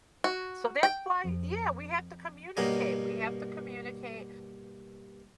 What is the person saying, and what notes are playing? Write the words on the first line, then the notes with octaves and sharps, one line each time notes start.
So, that's why yeah, we have to communicate, we have to communicate
F#4
G5
F2
G2 B2 A#3 B3 C#4 D#5